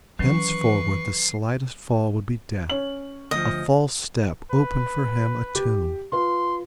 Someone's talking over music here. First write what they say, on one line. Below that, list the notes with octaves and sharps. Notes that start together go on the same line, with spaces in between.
Thenceforward the slightest fall would be death; a false step opened for him a tomb.
D#3 E3 F#3 C#4 B4 C#6 C7
C#4 F#7
D2 F3 D#5
B4
G4
F4 B4 C6